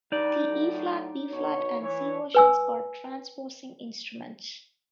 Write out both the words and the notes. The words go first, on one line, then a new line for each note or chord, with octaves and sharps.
The E-flat, B flat and C versions are transposing instruments.
G2 D#4 D5
A2 F#3
B2 C#5
E3 C#5
B4 G#5 E6